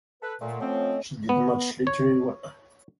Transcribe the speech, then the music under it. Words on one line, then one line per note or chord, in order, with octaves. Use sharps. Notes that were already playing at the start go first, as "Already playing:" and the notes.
She did much literary work.
A4 B4
A#2 A3 F#5
F3 C4 C#4 D#5
B3
C#5